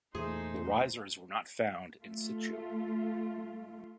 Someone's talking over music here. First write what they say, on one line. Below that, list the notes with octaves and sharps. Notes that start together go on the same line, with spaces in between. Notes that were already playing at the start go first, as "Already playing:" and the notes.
The risers were not found in-situ.
E2 A#2 A3 D#4 G#4 C5 C6
A3 F4